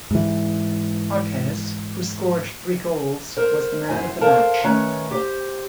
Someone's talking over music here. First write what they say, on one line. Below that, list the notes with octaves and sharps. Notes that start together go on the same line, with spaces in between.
Marques, who scored three goals, was the man of the match.
G#2 E3
A#4 C5
F#2 E4 C5 G#5
A4 A#4 C5 F5 A5
D#3 A3 C#4 B4 C#5 A#5
G4 C5